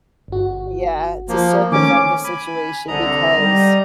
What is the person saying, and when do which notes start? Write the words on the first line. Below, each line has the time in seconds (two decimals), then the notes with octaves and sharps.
yeah, to circumvent the situation because
0.28 G1 F#4
1.29 F3 A#3
1.72 D#3 A3 C#4 D6
2.24 G#5 B5
2.88 C2 D3 D#5 A#5
3.39 G3